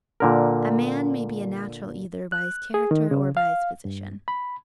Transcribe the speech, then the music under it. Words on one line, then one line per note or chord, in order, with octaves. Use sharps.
A man may be a natural either by his character or by his position.
A#2 D3 A#4
F#6
G#4
D#3
C#3
F5
G2
B5